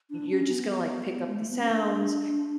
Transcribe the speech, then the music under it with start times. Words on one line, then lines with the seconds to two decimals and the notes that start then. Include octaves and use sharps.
you're just gonna, like, pick up the sounds,
0.10 D4
0.30 C#4
0.50 B3
1.29 G#3
1.39 A3
1.50 B3
1.61 C#4
1.71 D4